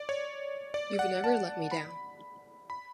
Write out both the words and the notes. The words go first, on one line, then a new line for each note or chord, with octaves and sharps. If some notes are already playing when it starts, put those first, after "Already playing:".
You’ve never let me down.
Already playing: D5
C#5
D5
F#5
A5
B5
B5